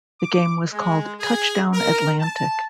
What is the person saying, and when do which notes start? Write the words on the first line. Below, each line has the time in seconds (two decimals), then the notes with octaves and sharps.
The game was called "Touchdown Atlantic".
0.20 D6
0.72 G#3
1.19 G#4
1.72 A#4
2.20 A5